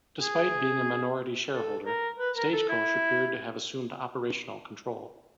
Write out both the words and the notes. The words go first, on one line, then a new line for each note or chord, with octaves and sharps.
Despite being a minority shareholder, Stagecoach appeared to have assumed operational control.
G#4
A4
A#4
B4
A#4
A4
E4